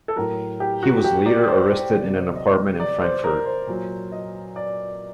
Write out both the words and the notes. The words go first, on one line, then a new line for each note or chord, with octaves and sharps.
He was later arrested in an apartment in Frankfurt.
A4
A2 F#3 A#4
G4
F#4
G4
D5
C5
C5
C3 F#3 D5
C5
D#5
D5
C5
A#4
C5
A#2 F#3
D#5
D5